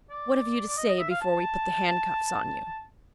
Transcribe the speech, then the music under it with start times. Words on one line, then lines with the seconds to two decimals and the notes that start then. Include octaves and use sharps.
"What have you to say before we put the handcuffs on you?"
0.11 D5
0.68 D5
0.78 D#5
0.88 D#5
1.00 E5
1.10 F5
1.21 A5